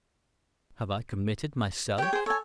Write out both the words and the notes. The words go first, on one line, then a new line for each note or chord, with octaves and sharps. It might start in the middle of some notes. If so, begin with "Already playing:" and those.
Have I committed myself?
G4 C#5 G5
G#4 C5
A4 C#5 G#5